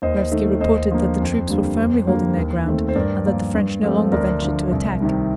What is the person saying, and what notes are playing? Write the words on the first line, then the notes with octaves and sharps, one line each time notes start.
Raevski reported that the troops were firmly holding their ground and that the French no longer ventured to attack.
D#2 C5 D#5
D#3 A3
D#2 C5 D#5
D3 F3 A#3
F2
D3 G3 A#3
F2
D3 G3 A#3
D#2
D#3 A3 C4
C5
G2 A#4 D5
F3 A#3
G2
F3 A3 C4
D2 A#4 D5
D3 F3
C2
C3 D#3 G3